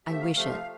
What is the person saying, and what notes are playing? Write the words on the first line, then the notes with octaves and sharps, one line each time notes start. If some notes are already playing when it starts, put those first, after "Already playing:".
"I wish it."
C3 F3 A3 E5
F5
C3 F3 A3 F5